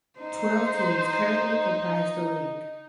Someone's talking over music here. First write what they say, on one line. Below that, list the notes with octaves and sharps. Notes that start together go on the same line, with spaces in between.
Twelve teams currently comprise the league.
D#4 C5